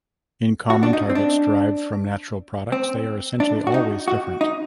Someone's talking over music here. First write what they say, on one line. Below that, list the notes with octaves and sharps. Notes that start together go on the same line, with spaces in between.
In common targets derived from natural products, they are essentially always different.
F#4
D4
D#4
C4
D4
C4
D4
F#4
D#4
F#4
D#4